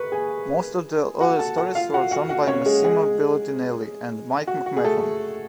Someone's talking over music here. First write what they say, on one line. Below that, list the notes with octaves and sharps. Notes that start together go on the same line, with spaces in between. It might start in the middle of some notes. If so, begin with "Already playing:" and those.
Most of the early stories were drawn by Massimo Belardinelli and Mike McMahon.
Already playing: B4 B5 C#6
G#4 G#5
F#4 F#5
A4 A5
F#4 F#5
F4 F5
F#4 F#5
F#4 F#5
F#4 F#5
C#4 C#5
G#3 G#4
G#3 G#4
F#4
F#4
G#4
A3 A4